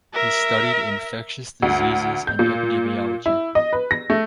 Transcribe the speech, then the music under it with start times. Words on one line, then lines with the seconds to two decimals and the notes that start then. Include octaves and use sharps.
He studied infectious diseases and epidemiology.
0.13 A#4 E5
1.63 D2
2.27 G6
2.39 A#2
3.26 E4
3.55 D#5
3.73 B4
3.91 A#6
4.10 A3